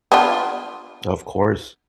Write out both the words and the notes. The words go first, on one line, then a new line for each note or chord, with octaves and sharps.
Of course.
B3 D4 F4